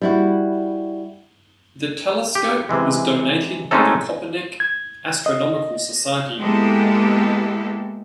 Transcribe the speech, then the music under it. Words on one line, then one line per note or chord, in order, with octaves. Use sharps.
The telescope was donated by the Kopernik Astronomical Society.
G3 E4 F#4
G4
C3 E3 G#3
G#3 A3 C4 C#4 D#4 A4
G#6
D#5
G#3 A#3 B3 E4 G4 A4